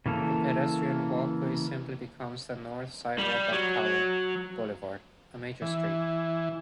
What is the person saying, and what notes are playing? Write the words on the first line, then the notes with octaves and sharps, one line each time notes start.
The pedestrian walkway simply becomes the north sidewalk of Powell Boulevard, a major street.
C#3 E3 A#3 A4
G3
F#3
E3